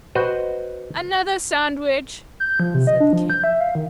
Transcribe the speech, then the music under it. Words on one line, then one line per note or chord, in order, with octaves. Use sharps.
'Another sandwich!' said the King.
F#4 B4 C5 D#5
G6
F3
C3
D#5
D4
F3
G6
E5
F5
D#3